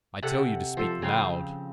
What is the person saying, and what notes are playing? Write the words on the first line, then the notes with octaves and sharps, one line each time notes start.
"I tell you to speak loud."
C3 A4 F#5
F3 A4
C#3 C4 F5 G5